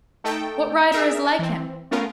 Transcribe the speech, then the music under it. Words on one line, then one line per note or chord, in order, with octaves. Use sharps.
What rider is like him?
A3 D#4 A4 G5
G#4 A#4 E5
E3 C4
A3 B3 C#4 F4 A#4